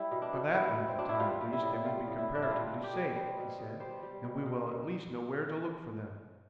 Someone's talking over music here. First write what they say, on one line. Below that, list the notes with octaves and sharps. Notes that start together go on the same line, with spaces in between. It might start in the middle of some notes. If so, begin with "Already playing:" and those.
"For that length of time at least they will be comparatively safe," he said, "and we will at least know where to look for them."
Already playing: G3 E4
B2
D4
B2
G3 E4
B2
C4
B2 D4
E4
G3 F4
G3
E4
A2
G3 F4
A2
E4
A2
D4
E4
G3 F4
B2
G4
B2
G3 C5
B2
B2
G3 C5
G3
B2
B2
B2